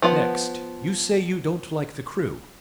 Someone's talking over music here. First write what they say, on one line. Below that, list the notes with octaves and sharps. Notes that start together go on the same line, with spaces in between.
Next, you say you don't like the crew.
F3 B3 F4 F#5